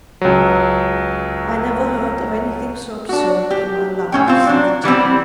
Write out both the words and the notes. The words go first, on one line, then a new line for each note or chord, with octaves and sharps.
"I never heard of anything so absurd in my life," said the Dean.
C#2 F#3
D4 F#4
G4
A2 C#4 G5
C4 F4
F#3 D4
E3 G3 B3 C4